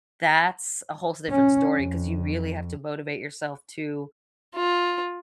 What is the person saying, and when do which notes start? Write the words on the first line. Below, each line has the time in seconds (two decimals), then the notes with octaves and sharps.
That's a whole different story 'cause you really have to motivate yourself to
1.30 C#4
1.77 F2
4.57 F4